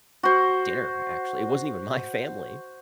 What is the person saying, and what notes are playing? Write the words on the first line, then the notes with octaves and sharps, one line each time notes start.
dinner, actually. It wasn't even my family,
F#4 C5